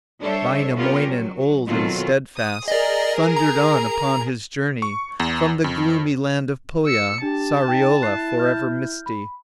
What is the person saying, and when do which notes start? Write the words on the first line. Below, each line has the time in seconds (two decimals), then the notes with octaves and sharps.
Vainamoinen, old and steadfast, Thundered on upon his journey, From the gloomy land of Pohja, Sariola for ever misty.
0.20 G3 D4 A4 C5 C#5 E5
0.76 B3 C#4 F4 G4 A#4
1.07 F#3
1.67 B2 D#3 F#3 C4 F4 A4
2.36 D#6
2.68 G#4 A#4 D5 D#5
3.36 A#5
4.82 C#6
5.20 E2
5.64 F2
6.85 E6 C#7
7.22 D4 G4 A5
7.68 D#4 G5
8.02 E4 F#6 C7
8.39 F6 G6
9.06 B5